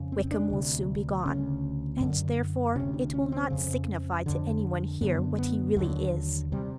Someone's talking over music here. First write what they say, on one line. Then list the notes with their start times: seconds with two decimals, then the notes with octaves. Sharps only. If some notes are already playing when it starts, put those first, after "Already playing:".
Wickham will soon be gone; and therefore it will not signify to anyone here what he really is.
Already playing: F2 C#3
0.12 C4
0.31 D4
0.50 D2 C3
1.26 D2 C#3 C#4
2.01 F#2 D3
2.76 D2 C3 C#4
2.94 D4
3.14 C#4
3.32 C4
3.50 F2 C#3
4.26 F2 D3
5.01 F#2 D3 B3
5.38 B3
5.76 D#2 D3 F#3
6.52 C3 G3